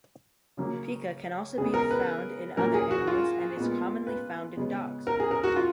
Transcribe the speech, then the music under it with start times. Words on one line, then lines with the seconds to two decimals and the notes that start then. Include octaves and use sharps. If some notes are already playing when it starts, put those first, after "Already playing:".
Pica can also be found in other animals and is commonly found in dogs.
0.57 C#3 F#3 A#3
1.57 C#3 G#3 B3 G#4
1.74 A#4
1.91 B4
2.57 A#2 F#3 A#3 A#4
2.74 G#4
2.91 F#4
3.07 F4
3.56 A#2 G#3 B3
4.07 B4
4.57 C#3 G#3 B3
5.07 A#4
5.20 G#4
5.31 A#4
5.43 F#4
5.56 F4